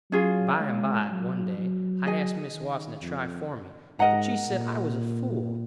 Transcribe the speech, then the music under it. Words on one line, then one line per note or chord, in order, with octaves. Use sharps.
By and by, one day, I asked Miss Watson to try for me, but she said I was a fool.
F#3 C#4 F4 G#4
G#3
F#3
F#3
G#4 D#5 G#5
D#3
F2
G#2 A#4 D#5 F#5 A#5
A#2